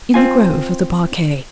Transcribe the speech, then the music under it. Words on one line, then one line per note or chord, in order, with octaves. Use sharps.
"In the grove of the parquet."
C4 F4 G#5